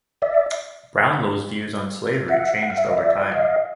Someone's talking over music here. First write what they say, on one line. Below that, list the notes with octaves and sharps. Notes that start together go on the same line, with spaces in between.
Brownlow's views on slavery changed over time.
D5 E5
E5 F#5
F#5
F5
E5
D#5 F5
D5 E5
D#5 F5